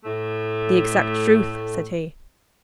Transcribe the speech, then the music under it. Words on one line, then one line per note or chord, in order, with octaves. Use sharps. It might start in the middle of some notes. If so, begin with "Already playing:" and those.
'The exact truth!' said he.
A2 A3